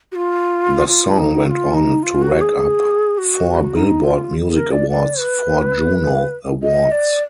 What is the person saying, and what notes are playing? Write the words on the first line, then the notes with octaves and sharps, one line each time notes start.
The song went on to rack up four "Billboard" Music Awards, four Juno Awards.
F#4
F4
F4
D#4
F#4
F4
D#4
F4
F#4
G#4
F#4
D#4
F4
A#4
D5
D5
B4
D#5
D5